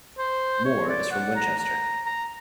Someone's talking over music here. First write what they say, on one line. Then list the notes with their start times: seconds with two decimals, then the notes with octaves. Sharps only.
Moore is from Winchester.
0.18 C5
0.65 C#5
0.89 D5
1.11 F#5
1.36 A#5
1.59 A#5
2.06 A#5